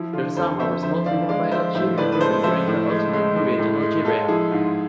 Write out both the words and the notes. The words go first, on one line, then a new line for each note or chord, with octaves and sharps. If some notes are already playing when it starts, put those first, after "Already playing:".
The Sarma was mostly worn by Algerian women during the Ottoman period in Algeria.
Already playing: F3 E4
D3 F4
F2 A4 C5
F2 C5 E5
F3 C5 E5
D3 D5 F5
G#3 D5 F5
F3 C5 E5
A2 C5 E5
A2 B4 D5
B4
G#3 A4 C5
F3 C5 E5
A2
G#3
G#3
A2
A2
G#3
G#3 F4 A4
F3 E4 G#4
G#2 F4